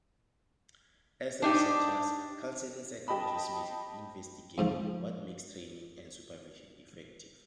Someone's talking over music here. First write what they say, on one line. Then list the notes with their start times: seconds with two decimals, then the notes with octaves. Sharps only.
As researchers, counseling psychologists may investigate what makes training and supervision effective.
1.42 D4 D#4 G4
3.08 G4 D#5 A5 B5
4.58 F2 G#2 F3